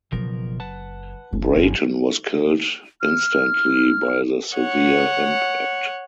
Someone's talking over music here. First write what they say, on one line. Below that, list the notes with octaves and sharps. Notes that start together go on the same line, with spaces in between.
Brayton was killed instantly by the severe impact.
F#1 B2 F3 F#3 A#4
B4 F#5 A5
F#1
G1 D#2 F#3 C4 F4
F6
C#5 F#5